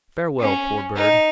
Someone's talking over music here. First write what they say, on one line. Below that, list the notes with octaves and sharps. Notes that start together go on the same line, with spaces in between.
Farewell, poor bird!
C#4
D#4